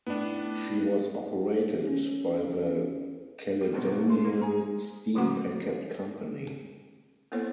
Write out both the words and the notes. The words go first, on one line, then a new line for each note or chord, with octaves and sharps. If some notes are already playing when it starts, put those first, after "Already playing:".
She was operated by the Caledonian Steam Packet Company.
A2 A3 B3 D4 D#4
C#4
G3
E2 B2 C4
B2 D4 C6
G#3 A#3
G#4 G#5 A#5
D3 F#3 C#4 F#4 F#5 D6
A#3 B3 E4 A4 C5 C#5